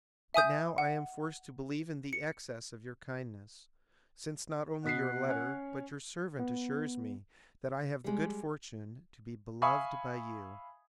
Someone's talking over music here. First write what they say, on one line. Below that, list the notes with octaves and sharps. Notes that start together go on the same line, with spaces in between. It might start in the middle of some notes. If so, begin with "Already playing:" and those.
But now I am forced to believe in the excess of your kindness, since not only your letter but your servant assures me that I have the good fortune to be beloved by you.
E5 G#5 D#6 G6
F#5
C#7
B2 F#5 B6 C7
C#4 C#5
B3
G3 G#3
E5 F5 G#5 B5 C#6 D#6